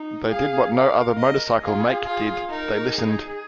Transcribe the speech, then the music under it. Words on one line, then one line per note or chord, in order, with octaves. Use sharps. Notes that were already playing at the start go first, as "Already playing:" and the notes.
They did what no other motorcycle make did-they listened.
Already playing: D#4
G#4 F5
A#4 F5
D#5
F4 G#4
F4
D#4 A#4
G#4